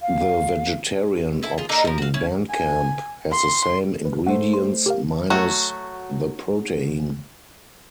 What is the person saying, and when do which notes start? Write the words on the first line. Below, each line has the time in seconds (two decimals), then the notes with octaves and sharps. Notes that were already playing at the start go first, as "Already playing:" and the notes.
The vegetarian option, band camp, has the same ingredients minus the protein.
0.01 F5
1.43 E4 A4
1.58 F4 G#4
1.69 A#3 D#4 A4 D5
1.85 F3 A#4
1.98 F#4 F5
2.14 C#4 E4
2.50 G#5
3.32 C6
4.05 B4
4.27 A3 C5 F#5
4.54 C6
4.86 G4 A#4 F5
5.30 F#3 A3 F#4